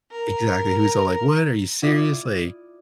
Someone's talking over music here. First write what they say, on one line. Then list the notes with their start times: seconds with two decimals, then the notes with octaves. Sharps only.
Exactly he was all, like, "What? Are you serious"? Like,
0.11 A#4
1.82 E4 F4 D5 E5 D#6 D#7